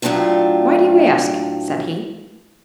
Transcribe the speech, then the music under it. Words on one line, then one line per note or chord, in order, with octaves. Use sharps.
"Why do you ask!" said he.
A2 F#3 A3 C4 D4 F4